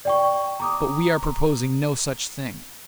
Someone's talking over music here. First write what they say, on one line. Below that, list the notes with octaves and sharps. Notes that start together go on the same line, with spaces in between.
But we are proposing no such thing.
D5 G5 C#6
A#5 D6 D#6